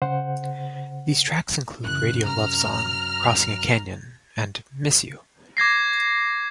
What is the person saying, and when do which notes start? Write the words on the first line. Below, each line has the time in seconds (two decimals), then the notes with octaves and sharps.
These tracks include "Radio Luv Song", "Crossing a Canyon", and "Miss You".
0.02 C#3 C5 F#5
1.84 F#2 C#3 E3 F#6
2.23 C3 A#5 F6
5.57 D6 G#6 A#6 C7